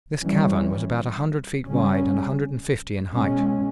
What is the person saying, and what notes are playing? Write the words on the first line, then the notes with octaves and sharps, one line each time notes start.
This cavern was about a hundred feet wide and a hundred and fifty in height.
E3 G3 C#4
C#3 G3 C#4
B2 G#3 C#4